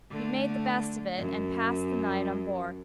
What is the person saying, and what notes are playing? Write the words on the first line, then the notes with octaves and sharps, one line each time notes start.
We made the best of it, and passed the night on board.
D3 A3
F#2